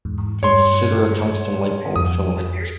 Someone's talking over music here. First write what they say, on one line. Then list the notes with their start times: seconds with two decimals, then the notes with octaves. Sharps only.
Consider a tungsten light-bulb filament.
0.05 E2 G#2
0.43 G2 C#5 C6
1.96 F2 D#6